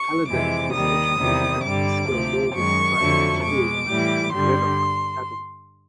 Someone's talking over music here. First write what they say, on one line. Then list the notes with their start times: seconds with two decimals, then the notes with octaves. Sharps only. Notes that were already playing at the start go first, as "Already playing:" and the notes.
Halliday was educated at Skelmorlie Primary School and Greenock Academy.
Already playing: C#6
0.28 F2 C3 E3 G#3 D6
0.73 D#2 D#3 G3 D#6
1.18 E2 C3 D#3 G3
1.63 G2 D3 G3 D6
2.08 D2 C3 F3
2.53 F#2 D#3 G#3 C#6
2.98 F2 D3 F#3 A3
3.43 B2 G#3 D6
3.88 A2 E3 G3
4.33 G2 D3 G3 C6